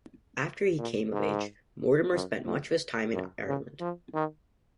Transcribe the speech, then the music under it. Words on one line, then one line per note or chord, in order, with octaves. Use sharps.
After he came of age, Mortimer spent much of his time in Ireland.
A#2
G#2
F#2
F2
F#2
C#3
F3
D#3